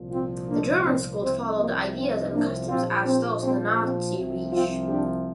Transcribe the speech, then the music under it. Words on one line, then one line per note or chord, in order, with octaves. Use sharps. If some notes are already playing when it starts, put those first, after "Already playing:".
The German school followed ideas and customs as those in Nazi Reich.
Already playing: C2 A#2 F3
C4 F4
A#3 D4
C4
C2 C3 F3 C4
A#3
C4
A#3 D4
A#1 A#2 F3 C4 F4
C4
C4
C4
C2 C3 F3
C4 F4
D4 G4